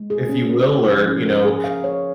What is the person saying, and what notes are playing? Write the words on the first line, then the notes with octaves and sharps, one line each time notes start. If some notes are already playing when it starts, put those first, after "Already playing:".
if you will, or, you know
Already playing: G#3
G#4
C#4
A#4
F4
F3
C#4
A#4
G#4
F5
C#5